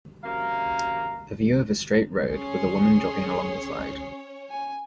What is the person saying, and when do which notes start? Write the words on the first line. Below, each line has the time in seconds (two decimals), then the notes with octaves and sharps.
A view of a straight road with a woman jogging along the side.
0.24 F#2 C3 A#3 F5 A#5
2.32 C#4 G#4 C#5 C6
4.50 G#5